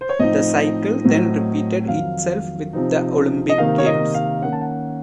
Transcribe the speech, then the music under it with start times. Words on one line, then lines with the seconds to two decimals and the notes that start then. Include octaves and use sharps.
The cycle then repeated itself with the Olympic Games.
0.01 C5
0.09 C#5
0.19 A2 F3 C4 D#4 D#5
1.04 A2 F#3 C4
1.88 F2 D#3 F#3 F5
2.73 C3 F3 C4 D#4
3.49 D#5
3.58 C3 D#3 A#3 D#4 F5
3.78 C#5
3.86 D#5
4.14 F5
4.42 D#3 A#3 C#4 F#5
4.52 A5
4.61 F#5